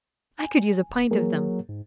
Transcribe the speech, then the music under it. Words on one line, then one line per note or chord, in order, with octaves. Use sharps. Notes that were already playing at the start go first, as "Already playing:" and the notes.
I could use a pint of them!
G#5
D#1
F#3 A#3 G#4 A#4
G#2